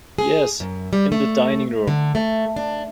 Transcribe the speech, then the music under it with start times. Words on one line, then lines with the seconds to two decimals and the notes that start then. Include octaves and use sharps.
Yes, in the dining-room.
0.18 G#4
0.60 F#2
0.93 G3
1.12 A3
1.88 D3
2.15 A3
2.56 D4